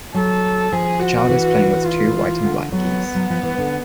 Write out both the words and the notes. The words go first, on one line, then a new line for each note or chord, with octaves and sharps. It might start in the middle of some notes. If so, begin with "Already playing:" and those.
A child is playing with two white and black geese.
F#3 A4
F3 G#4
F#4
E3
F4
D3
F#3 B3
F#3
F3
E3
D3